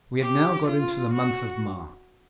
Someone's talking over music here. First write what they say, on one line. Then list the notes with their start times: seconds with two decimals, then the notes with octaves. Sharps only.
We had now got into the month of March.
0.22 G4
0.68 F4
1.14 F#4